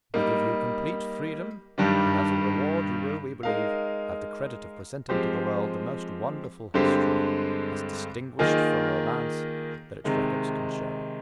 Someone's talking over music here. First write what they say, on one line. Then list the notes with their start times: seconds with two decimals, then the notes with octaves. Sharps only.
We give you complete freedom, and as a reward you will, we believe, have the credit of presenting to the world the most wonderful history, as distinguished from romance, that its records can show.
0.14 G3 A#3 D#4
1.78 G2 D#3 G3 D4
3.43 G#3 D#4 A#4 F5
5.09 F3 G#3 C4 G4 C5
6.74 G2 D3 G#3 C4 G4
8.39 D#3 A#3 F4 G#4 D#5
10.04 C3 D#3 G#3 D#4